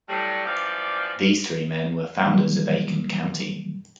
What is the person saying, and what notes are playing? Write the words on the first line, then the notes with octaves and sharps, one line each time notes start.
These three men were founders of Aiken County.
A2 F#3 G3
F#2 E3 F3 G3 D5 F5
B2 D#3 E3 F#3 G3 A#3